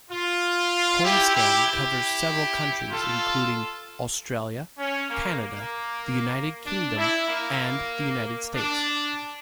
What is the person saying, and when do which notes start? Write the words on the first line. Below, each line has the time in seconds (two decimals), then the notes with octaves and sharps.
Homescan covers several countries including Australia, Canada, the United Kingdom, and the United States.
0.10 F4
1.04 E4 G4
1.35 E4 G4
1.66 E4 G4
2.91 F4 A4
4.78 C#4
5.09 A#3
5.40 A#3
6.66 D4
6.97 E4
7.28 A#3
8.53 D4